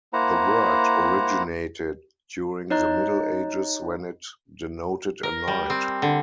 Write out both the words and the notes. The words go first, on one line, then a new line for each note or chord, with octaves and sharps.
The word originated during the Middle Ages when it denoted a knight.
A#3 E4 C5 F#5 A#5
D#4 C#5 D#5 A#5 F#6
A#4
G3
C4
D3